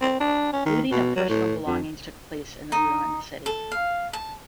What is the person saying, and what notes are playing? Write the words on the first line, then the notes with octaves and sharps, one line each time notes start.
Looting of personal belongings took place in the ruined city.
C4
D4
C#4
D#3
B2
F#3
A2
F2
D#4
A4
F5
A5